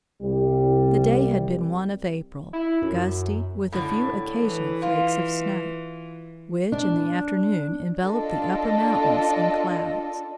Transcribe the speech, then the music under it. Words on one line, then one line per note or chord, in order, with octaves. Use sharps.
The day had been one of April; gusty, with a few occasional flakes of snow; which, in the afternoon enveloped the upper mountains in clouds.
C2 G3
E4
F#2
A2 D3
E3
F4
D4
D4 F4 A4 D#5